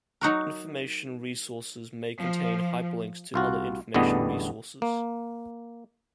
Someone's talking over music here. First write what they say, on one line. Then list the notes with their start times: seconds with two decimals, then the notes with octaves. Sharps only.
Information resources may contain hyperlinks to other information resources.
0.21 F#3 D#4 F#4 A#4
2.21 F3
3.34 C2 F4 F#4
3.94 A1 E2 D3 G3 B3 D#5
4.82 A#3